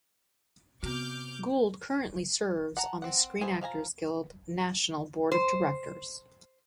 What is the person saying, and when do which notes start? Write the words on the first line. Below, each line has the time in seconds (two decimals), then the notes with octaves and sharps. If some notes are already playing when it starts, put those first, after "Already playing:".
Gould currently serves on the Screen Actors Guild National Board of Directors.
0.83 C3 B3 F#4 D6 F6 G6
2.77 F#5 A5 A#5
3.02 C4 F#5
3.41 A3 B3 C5 G#5
3.61 F3 F5 G#5 A#5
5.32 C5